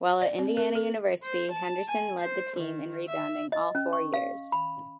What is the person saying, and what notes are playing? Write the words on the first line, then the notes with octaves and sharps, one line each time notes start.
While at Indiana University, Henderson led the team in rebounding all four years.
D5
C4
A#4
A4
C5
A5
G#5
C5
D#3
E5
D#5
C#4
C#6
F5
B5